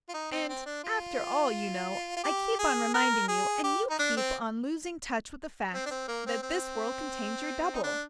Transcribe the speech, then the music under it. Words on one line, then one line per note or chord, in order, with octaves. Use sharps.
"And, after all, you know--I keep on reminding you, and you keep on losing touch with the fact, that this world contains your double."
F4
D#4
C4
C4
D4
F4
F4
G4
G#4
A#4
G#4
G4
D#4
D4
C4
C4
D4
C4
A#3
C4
C4
D#4
D4